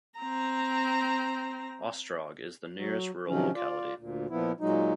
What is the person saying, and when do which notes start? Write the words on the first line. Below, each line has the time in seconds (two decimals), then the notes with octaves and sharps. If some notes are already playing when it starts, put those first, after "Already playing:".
Ostrog is the nearest rural locality.
0.19 C4 A#5
2.76 F#3
3.28 C3 D#3 F3 F#3 C#4
3.55 F4 D5
3.98 D2 A#2
4.30 A#2 F3 B3 E4
4.60 A#2 F#3 G#3 D#4